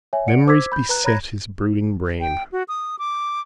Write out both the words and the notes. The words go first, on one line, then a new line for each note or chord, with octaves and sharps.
Memories beset his brooding brain.
C#5 E5 G#5
D5 F#5 C#7 D7
C5 D6 E6 G#6 B6
B5 G6
B4 A#5 F#6
C#5 A#5 B5 F#6 G#6 A#6
G5
F#4
D#6
D6